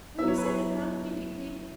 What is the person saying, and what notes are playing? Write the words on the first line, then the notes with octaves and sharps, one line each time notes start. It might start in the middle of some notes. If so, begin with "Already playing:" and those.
"Will you send it round immediately?"
F#3 B3 E4 E5
C#5
B4
C#5